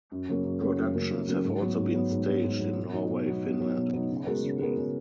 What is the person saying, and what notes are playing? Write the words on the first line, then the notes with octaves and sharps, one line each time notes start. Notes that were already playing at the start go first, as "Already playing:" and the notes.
Productions have also been staged in Norway Finland and Austria.
F#2
C#3 F#3 A#3
F#2
C#3 F#3 A#3
F#2
C#3 F#3 A#3
F#2
C#3 F#3 A#3
G#2
F#3 B3
G#2
F#3 B3
G#2
F#3 B3
G#2
F#3 B3
B2
F#3 B3 D#4
B2
F#3 B3 D#4
B2
F#3 B3 D#4
B2
F#3 B3 D#4
C#3
G#3 B3 F#4 A#4
C#3
G#3 B3 F#4 A#4
C#3